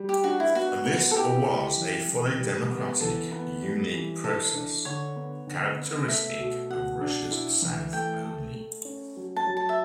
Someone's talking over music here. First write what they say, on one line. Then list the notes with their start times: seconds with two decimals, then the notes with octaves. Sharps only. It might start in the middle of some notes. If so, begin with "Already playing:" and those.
This was a fully democratic, unique process, characteristic of Russia's South only.
Already playing: G3
0.09 G4
0.24 D4 F#4
0.40 E4
0.55 B3 F#4
0.86 B3
1.11 A4
1.16 E4 G4
1.47 E4
1.78 E3
2.09 E3
2.40 G3
2.70 B3
3.01 E3 A4
3.32 B3
3.63 G3
3.93 E3
4.24 E3 A4
4.54 D4
4.85 D3 C#5
5.16 B3
5.47 D3
5.78 B3
6.08 A3 E5
6.39 B2
6.70 B2 F#5
7.01 D4
7.31 E4
7.62 E3
7.93 A3 G5
8.24 A3
8.55 A3
8.85 C#4
9.17 F#3
9.36 A5
9.47 F#3
9.57 A5
9.69 E5